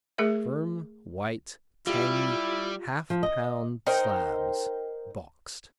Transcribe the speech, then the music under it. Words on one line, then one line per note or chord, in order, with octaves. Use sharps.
Firm; white; tangy; half-pound slabs boxed.
A3 G#4 A#4 E5
G3 E4 F4 G4
F3
D#5
D#4 A#4 C5 G5